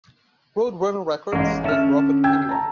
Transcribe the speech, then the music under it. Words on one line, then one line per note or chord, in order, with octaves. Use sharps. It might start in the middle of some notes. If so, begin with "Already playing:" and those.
RoadRunner Records then dropped Anyone.
A1 G#3 A#3
D3 C#4 E5 A5 F6
G5 E6 G#6
A5 A#5